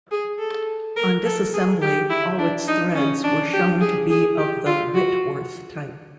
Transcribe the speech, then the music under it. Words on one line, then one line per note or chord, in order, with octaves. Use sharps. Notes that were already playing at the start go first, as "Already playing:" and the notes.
On disassembly, all its threads were shown to be of the Whitworth type.
G#4
A4
A#4
A4
G#4
G4
E4
D4
D#4
C#4
D4
G4
G#4
G#4
G4
F4
F#4